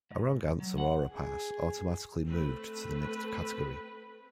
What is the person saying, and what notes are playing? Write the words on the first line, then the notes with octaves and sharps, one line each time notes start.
A wrong answer or a pass automatically moved to the next category.
G#2
F#3
F#5
G#4
A3 C4 B4